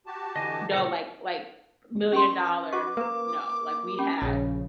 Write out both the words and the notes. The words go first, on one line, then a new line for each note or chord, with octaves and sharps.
No, like like, million-dollar. No, like we had
F#4 G4 A5
D3 E3 D#5 G#5
A#2 C#3 A#4 C5 F#5 D6
C#4 A#4 C6 C#6
F#4 B4 C#6 D6
A#3 A#4 B4
C#4 G4 B5
A#1 C#3 C#5